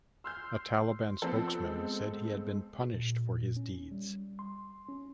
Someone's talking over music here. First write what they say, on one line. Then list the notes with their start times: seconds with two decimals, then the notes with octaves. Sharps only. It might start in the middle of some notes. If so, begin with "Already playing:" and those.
A Taliban spokesman said he had been "punished for his deeds".
0.24 C6 E6 F6 G6
1.22 F3 B3 C4 A4
1.62 G#3
2.94 A#2
3.57 C#4
3.92 G3
4.39 C6
4.88 C#4